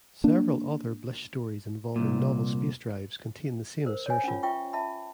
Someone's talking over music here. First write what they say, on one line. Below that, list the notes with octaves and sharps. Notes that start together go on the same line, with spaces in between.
Several other Blish stories involving novel space drives contain the same assertion.
A#3 D4
C2 F#2 A#2
A#4 C5
C#5 G#5
C#4 F4
F4 E5 G5 C#6
E5 A5 B5